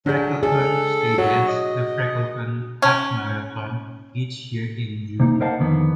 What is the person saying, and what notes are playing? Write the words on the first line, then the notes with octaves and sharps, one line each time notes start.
Freckleton stages the Freckleton Half Marathon each year in June.
F#3 D4 G#4
G#4 A4
F#3 F#4
D#5
C#4
C3 A#3 D#4
A#4 C5 D#5 F5 F#5 A5
F2 D3 D#3 B3